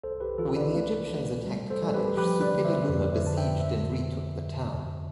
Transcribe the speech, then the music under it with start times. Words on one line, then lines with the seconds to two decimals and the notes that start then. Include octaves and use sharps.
When the Egyptians attacked Kadesh, Suppililiuma besieged and retook the town.
0.03 C2 A4 C5
0.20 G4 B4
0.38 E3 F4 A4
0.56 B4 D5
0.75 A3
1.10 A3
1.45 G3
1.70 A4 C5
1.82 G3
1.94 G4 B4
2.17 F3 G4 B4
2.41 B4 D5
2.53 D3
2.65 C5 E5
2.89 F2 B4 D5
3.12 C5 E5
3.25 D3 A5
3.37 E5 G5
3.60 C5 E5